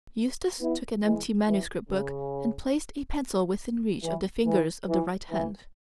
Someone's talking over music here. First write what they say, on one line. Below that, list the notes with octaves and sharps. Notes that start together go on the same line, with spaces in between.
Eustace took an empty manuscript book and placed a pencil within reach of the fingers of the right hand.
B3 E4
E3 G#3
E3
C#3
E3
E3
E3
E3